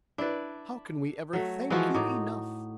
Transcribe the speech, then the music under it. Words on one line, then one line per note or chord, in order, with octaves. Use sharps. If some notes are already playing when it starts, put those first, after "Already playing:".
"How can we ever thank you enough?"
D4 E4 B4 D5
F#3 A3
E3 F3 G#3 F#4
A2 D#4 D6